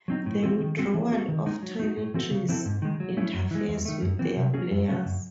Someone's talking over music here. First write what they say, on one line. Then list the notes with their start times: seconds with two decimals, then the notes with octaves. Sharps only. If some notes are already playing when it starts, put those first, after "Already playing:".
The withdrawal of toiletries interferes with their prayers.
0.08 F#3 C4 D#4
0.26 A2
0.43 E3 C4 F#4 A4
0.60 D#3
0.77 G#3 C4 F#4 A4
0.94 E3
1.12 C4 F#4 A4
1.28 D#3
1.46 G#3 D#4
1.63 F#3
1.80 A3 D#4 F#4
1.97 A2
2.14 E3 C4 F#4 A4
2.31 C#3
2.48 E3 C4 E4 A4
2.66 G#2
2.82 D#3 G#3
3.00 F#3
3.17 A3 C#4 E4
3.34 F#2
3.51 E3 G#3
3.68 E2
3.85 D#3 A3
4.02 F#2
4.19 E3 C4
4.37 C3
4.54 F#3 C#4 G#4
4.71 F#2
4.89 C#3 F#3 A3 C#4
5.05 F#2